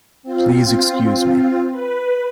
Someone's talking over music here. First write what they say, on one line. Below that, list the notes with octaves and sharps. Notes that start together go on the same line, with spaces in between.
Please excuse me.
C4 F4
B4